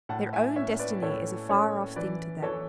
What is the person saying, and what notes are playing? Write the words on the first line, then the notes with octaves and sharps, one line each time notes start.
Their own destiny is a far-off thing to them.
A2 F#5 A5
E5 G#5
C#4 C#5 E5
B4 D5
A2 A4 C#5
C#4 A4 C#5
E3 B4 D5
E3 A4 C#5